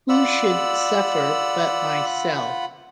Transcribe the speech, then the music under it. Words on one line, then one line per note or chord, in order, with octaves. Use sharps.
Who should suffer but myself?
F4 D5 F#5 B5 E6